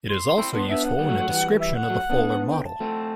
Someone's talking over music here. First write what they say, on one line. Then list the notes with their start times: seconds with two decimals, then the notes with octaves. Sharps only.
It is also useful in a description of the fuller model.
0.09 C6
0.38 C4 E4
0.54 B3 D4
0.68 B3 D4 E5
0.84 F#5
0.99 G3 B3
1.09 F#3 A3
1.19 F#3 A3
1.29 E3 G3
1.59 E5
1.74 F#5
1.90 F#3 A3
2.10 B3 D4
2.50 G5
2.65 A5
2.80 A3 C4